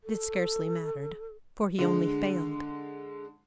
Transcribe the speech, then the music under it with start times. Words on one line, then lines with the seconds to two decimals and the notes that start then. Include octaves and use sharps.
But it scarcely mattered, for he only failed.
0.03 A4
1.79 D3 G#3